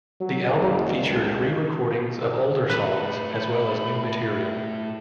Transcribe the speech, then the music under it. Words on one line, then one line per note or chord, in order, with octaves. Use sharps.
The album featured re-recordings of older songs as well as new material.
F#3
F#1
C#2
A2 A3 B4 B5